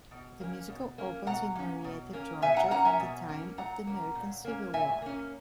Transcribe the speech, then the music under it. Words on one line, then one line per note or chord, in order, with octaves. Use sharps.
The musical opens in Marietta, Georgia, in the time of the American Civil War.
B2
A#3 C#4
B2
A#3 C#4
B2 F#5 A#5
A#3 C#4
B2
A#3 C#4
B2 E5 G#5
F#5 A#5
A#3 C#4 F#5 A#5
E5 G#5
B2
A#3 C#4
A#2 F#5 A#5
A#3 C#4
A#2
A#3 C#4
A#2 E5 G#5
A#3 C#4